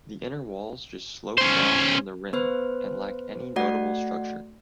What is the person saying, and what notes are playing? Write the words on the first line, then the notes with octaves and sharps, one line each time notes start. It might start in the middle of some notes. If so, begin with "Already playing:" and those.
The inner walls just slope down from the rim, and lack any notable structure.
C#4 C5
B3 B4 C5
A3 F#4 D5 F#5